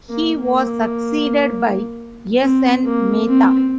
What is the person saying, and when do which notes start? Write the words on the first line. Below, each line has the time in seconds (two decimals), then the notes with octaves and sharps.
He was succeeded by S. N. Mehta.
0.09 A#3
0.38 A#3
2.41 C4
2.85 A#3
3.28 C4